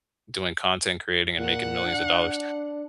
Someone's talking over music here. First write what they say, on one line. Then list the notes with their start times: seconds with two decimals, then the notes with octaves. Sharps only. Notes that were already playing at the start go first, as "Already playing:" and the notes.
doing content creating and making millions of dollars;
1.39 A#2 F#5
1.85 D4